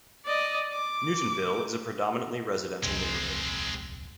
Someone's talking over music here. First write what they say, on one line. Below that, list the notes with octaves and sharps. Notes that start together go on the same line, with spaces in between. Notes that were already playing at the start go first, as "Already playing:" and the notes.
Newtonville is a predominantly residential neighborhood.
D5 D#5
D6
D#1 C2 F2 G#3 C4